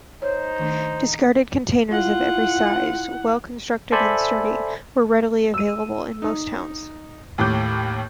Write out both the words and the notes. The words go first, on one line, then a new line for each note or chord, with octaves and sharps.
Discarded containers of every size, well-constructed and sturdy, were readily available in most towns.
D#4 C5 C#5
D#3 A3 D4
E4 F4 F#5
A4 C5 D5 E5 G#5 B5
E6 D#7
D#4
D#2 A2 D6 G6